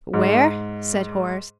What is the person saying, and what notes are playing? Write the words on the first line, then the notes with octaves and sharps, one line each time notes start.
"Where?" said Horace.
G#2